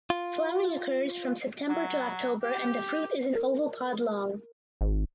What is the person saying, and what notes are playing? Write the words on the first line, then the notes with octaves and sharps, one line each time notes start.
Flowering occurs from September to October and the fruit is an oval pod long.
F4
F#3
G4
A#4
G#1